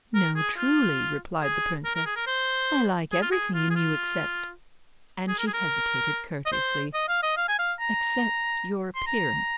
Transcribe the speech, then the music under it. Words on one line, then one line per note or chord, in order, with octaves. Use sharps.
"No, truly," replied the princess; "I like everything in you, except"--and she hesitated courteously--"except your appearance."
A#4
G#4
F4
G#4
A#4
A#4
G#4
A#4
C5
G#4
F4
G#4
F4
G#4
F4
G#4
A#4
G#4
A#4
D#5
C5
D#5
F5
D#5
F5
G#5
F5
A#5
C6
A#5